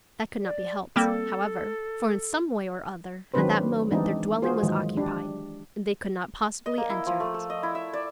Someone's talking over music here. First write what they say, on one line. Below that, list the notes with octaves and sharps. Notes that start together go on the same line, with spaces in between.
That could not be helped, however, for in some way or other at that moment their dwelling was occupied, and they could not possibly enter it.
D5
G3 A#3 C4 A4
D#3 F#3 C4 D4 B4 C5
E3 G#3 C4 D4 D#4
F4 F#4 G#4 C5
D#3 E3 F#3 G#3
D4 G4
D#5
A#3
E4
F3
A3
A4
D#5
E4
E5
D5